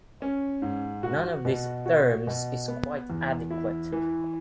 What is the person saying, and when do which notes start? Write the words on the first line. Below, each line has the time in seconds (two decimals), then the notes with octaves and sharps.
None of these terms is quite adequate.
0.22 C#4
0.62 G#2
1.03 F#4
1.45 B2
1.86 F#4
2.27 B2
2.68 B3
3.10 E2
3.51 E4
3.92 E3